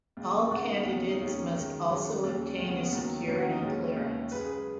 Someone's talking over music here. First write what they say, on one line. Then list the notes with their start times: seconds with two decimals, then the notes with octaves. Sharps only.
All candidates must also obtain a security clearance.
0.17 D#2 C#3 G#3
0.51 D#2 C#3 G#3 F#5
0.62 D#4
0.74 B3
0.85 D#2 C#3 G#3 B3
0.97 C#4
1.09 D#4
1.20 D#2 C#3 G#3 C#4
1.55 F#2 D#3 G#3
1.89 F#2 D#3 G#3
2.24 D#2 C#3 G#3
2.58 D#2 C#3 G#3 C#4
2.68 B3
2.85 B3
2.92 D#2 D#3 F#3
3.27 D#2 D#3 F#3 C#4
3.38 F#4
3.50 D#4
3.62 D#2 C#3 G#3 C#4
3.97 D#2 C#3 G#3
4.31 F#2 C#3 G#3 B4
4.41 G#4
4.51 B4